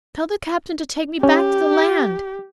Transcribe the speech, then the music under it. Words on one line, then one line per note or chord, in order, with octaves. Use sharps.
Tell the captain to take me back to the land.
C#4 G4